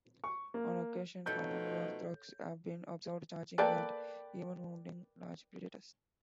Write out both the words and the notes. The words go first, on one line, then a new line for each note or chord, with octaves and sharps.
On occasion, common warthogs have been observed charging and even wounding large predators.
C#6
A#3
B2 F3 A3 D#4 A4 C#5 B5 G6
A#3 A4 B4 D5 G5